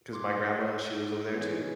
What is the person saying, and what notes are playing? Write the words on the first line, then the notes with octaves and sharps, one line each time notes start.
'cause my grandma, she lives over there too,
C6 D6
E3 G#3 B3 C#5